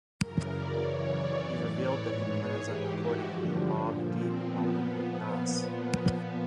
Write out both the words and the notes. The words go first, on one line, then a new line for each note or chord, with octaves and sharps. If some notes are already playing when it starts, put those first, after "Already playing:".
He revealed that he plans on recording a new Mobb Deep album with Nas.
F#2 C#3 E3 A#4
D5
F#2 C#3 E3 C#5
D5
A2 E3
C#5
G#2 E3
G#4
G#2 E3 G4
F#4
G2 D3 F3
A#2 F3
C4
A#2 F3 B3